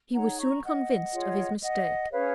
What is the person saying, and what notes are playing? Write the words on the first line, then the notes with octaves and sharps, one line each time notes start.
He was soon convinced of his mistake.
D#4 G#4 C#5 F#5 A#5
A#5 C#6
D#5 F#5
F4 G#4 C#5
D#5 F#5
C#4 G#4 B4 C#5 F5